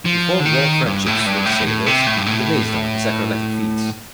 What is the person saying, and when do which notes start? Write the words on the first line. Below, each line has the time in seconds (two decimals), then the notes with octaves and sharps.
He formed warm friendships with the sailors, and amazed them with his acrobatic feats.
0.05 F3
0.40 D3
0.46 D#3
0.86 G2
1.06 A2
1.26 G2
1.46 A2
1.67 A2
1.86 C3
2.07 A2
2.17 G2
2.26 A2